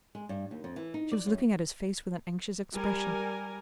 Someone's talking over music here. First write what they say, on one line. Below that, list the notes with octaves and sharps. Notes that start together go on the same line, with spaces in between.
She was looking at his face with an anxious expression.
G#3
G2
D#2
F2
E3
D#4
D5
F#2
G3 A#4 G#5